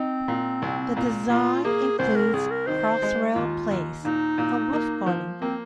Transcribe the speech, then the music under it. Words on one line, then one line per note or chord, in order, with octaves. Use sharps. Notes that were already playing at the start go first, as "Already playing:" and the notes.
The design includes Crossrail Place, a roof garden.
Already playing: C4 D#4
A#2
C2
A#2
A#2 F4
A#3 G#4
C2 C5
A#4
C2 G#4
A#4
D#3 C5
G#3
D#2 F4
D#2
A#2 D#4
A#2
A#3
F3
A#3 C4